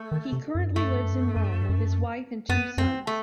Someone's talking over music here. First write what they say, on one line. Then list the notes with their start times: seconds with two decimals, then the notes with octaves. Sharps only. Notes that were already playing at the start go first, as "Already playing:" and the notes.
He currently lives in Rome with his wife and two sons.
Already playing: A3
0.12 D#3
0.32 C3
0.55 F#2
0.63 G2
0.71 F#2
0.76 G2 A3
0.87 F#2
0.95 G2
1.03 F#2
1.12 G2
1.20 F#2
1.28 G2
1.36 F#2
1.44 G2
1.53 F#2
1.61 G2
1.69 F#2
1.78 G2
1.85 F#2
2.49 F#2 B3
2.78 F#2 C4
3.07 A3